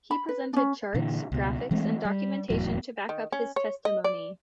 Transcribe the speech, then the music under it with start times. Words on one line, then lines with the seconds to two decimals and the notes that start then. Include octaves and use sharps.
He presented charts, graphics and documentation to back up his testimony.
0.11 B5
0.29 B4
0.53 C#4 D4
0.94 A#2 D3 E3
1.32 C#2 B2
1.71 E3 G#3 A3 C4
2.05 G3
2.50 F1 E2 A2 F#3
3.09 D#3
3.32 C#4
3.56 C#5
3.85 D#5
4.04 D5